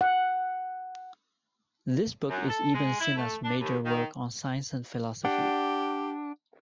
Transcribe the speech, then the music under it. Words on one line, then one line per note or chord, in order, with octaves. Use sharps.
This book is Ibn Sina's major work on science and philosophy.
F#5
F#2
A4
G#3
E4
A3
D4
D#2
D#3
D4 G4 F#5